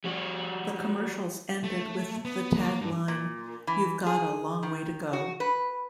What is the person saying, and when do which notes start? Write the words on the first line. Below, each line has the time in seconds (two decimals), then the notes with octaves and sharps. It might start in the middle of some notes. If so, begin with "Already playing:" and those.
The commercials ended with the tag line You've got a long way to go.
0.04 G3 F#4
1.64 A3
2.25 B3
2.57 A#3
2.81 G2
3.08 A#2
3.67 E3
4.06 G#4
4.63 D#3
5.13 F#4
5.40 B4